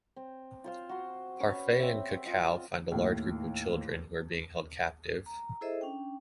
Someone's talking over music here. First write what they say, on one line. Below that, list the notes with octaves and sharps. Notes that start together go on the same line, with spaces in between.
Parfait and Cacao find a large group of children who are being held captive.
C4
F4 C5 F5
F#4 C6
C#4 B4 C#5
C4 E5
F4 D#5
D#2 A2
A#5
E4 G#4 A4 C5 D#5 E5
C#4 D4 G5